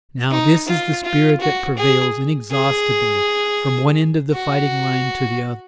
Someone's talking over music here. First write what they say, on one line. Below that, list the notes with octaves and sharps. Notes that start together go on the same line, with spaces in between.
Now this is the spirit that prevails inexhaustibly from one end of the fighting-line to the other.
D#4
F4
F4
F#4
G#4
G#4
F#4